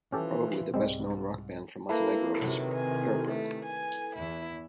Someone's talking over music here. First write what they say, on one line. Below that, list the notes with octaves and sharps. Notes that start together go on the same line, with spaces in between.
Probably the best known rock band from Montenegro is Perper.
E3 F3 C#4 G4 A4
C2 G#2 G3 G#3 C4
A#3 E4 A4 B4
C3 D#3 F#3
G#5
A3
G#5
E2 E4